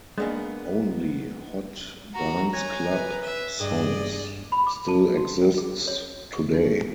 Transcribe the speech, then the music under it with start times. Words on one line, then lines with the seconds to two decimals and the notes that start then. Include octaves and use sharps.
Only "Hot Dance Club Songs" still exists today.
0.18 G#3 A#3 B3 D4
2.14 F#4 A#5
2.53 C#5 G#5 A#5 F#6 G#6 A#6
2.92 B4
3.23 E5
3.60 G2 G#4 D5 D#5
4.52 B5
4.67 D6
4.88 A5
5.17 F#4
5.42 G5
5.58 G#4
5.88 C#5
6.33 C#6
6.54 D#4